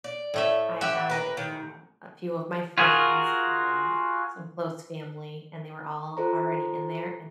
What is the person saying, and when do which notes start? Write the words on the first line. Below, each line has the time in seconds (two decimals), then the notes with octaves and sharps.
I had, um, a few of my friends and some close family, and they were all already in there, and
0.04 D5
0.34 A2 A3 E5
0.81 G4 E5 F#5
1.10 A#4 B4
1.37 D#3
2.78 F4 F#4 G#4 A#4
6.17 F4 A4 C5 A#5